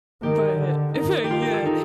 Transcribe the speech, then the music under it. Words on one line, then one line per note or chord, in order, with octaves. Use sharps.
but if I Yeah.
D#3 G4
D3
D#3 D#4
G4
D#3 F4
G4
A4
D#4